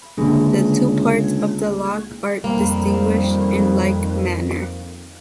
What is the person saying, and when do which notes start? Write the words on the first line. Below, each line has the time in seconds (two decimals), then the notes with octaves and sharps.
The two parts of the lock are distinguished in like manner.
0.18 C#2 D3 A#3 G#4
2.44 F2 D#3 G3 A#3 C4